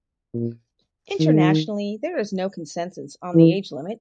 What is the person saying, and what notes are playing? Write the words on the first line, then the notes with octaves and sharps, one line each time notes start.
Internationally there is no consensus on the age limit.
A#2
D#3
E3